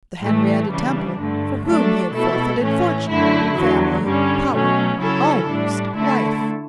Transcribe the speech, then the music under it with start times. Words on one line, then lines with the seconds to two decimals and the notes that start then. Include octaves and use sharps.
The Henrietta Temple for whom he had forfeited fortune, family, power, almost life!
0.22 A2 E3 A3
0.70 C#3 E3 G3 D4
1.18 G2 D3 A3
1.66 F#3 A3 D4 A4
2.14 B2 A3 E4 A4
2.61 A2 E3 A3 C#4
3.09 F#2 D3 A3 E4
3.57 E2 D3 F#3
4.05 G2 D3 G3 C#4
4.52 B2 F#3 A3 C#4
5.00 C#3 F#3 C#4 E4 A4
5.48 A2 G3 D4
5.96 D3 A3 E4 A4